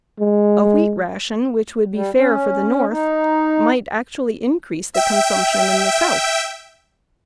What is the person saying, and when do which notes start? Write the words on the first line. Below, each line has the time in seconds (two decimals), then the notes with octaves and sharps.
A wheat ration which would be fair for the North might actually increase the consumption in the South.
0.20 G#3
1.94 G3
2.18 C#4
2.91 D#4
4.94 E5 G5